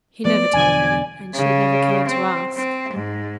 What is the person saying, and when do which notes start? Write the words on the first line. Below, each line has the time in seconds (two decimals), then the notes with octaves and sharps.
He never told her, and she had never cared to ask.
0.25 F3 A3 B3 D5
0.53 E2 B2 D3 G#5
1.35 C#3
2.07 C4
2.56 C4
2.93 G#2